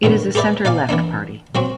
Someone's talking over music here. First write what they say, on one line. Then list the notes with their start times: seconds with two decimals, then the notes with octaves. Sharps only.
It is a centre-left party.
0.03 A2 D3 D#3 B3
0.35 G4 G#4 B4 D5 E5
0.65 D#4 D5 F5 G#5
0.89 E3 B3 D4 D#4
1.55 F#3 C4 F#4